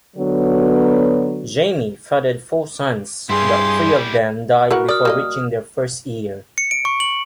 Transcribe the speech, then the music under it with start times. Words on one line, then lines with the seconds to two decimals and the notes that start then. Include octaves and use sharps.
Jami fathered four sons, but three of them died before reaching their first year.
0.16 D3 F#3 B3
3.30 G2 E4 G4 G#4 C6
4.71 E4 F#4 A#4 B4 F#5
4.88 D5 D#6 F6
5.05 G3 A#3 D#5
6.58 C#7
6.71 D7
6.85 C#6
7.00 F#7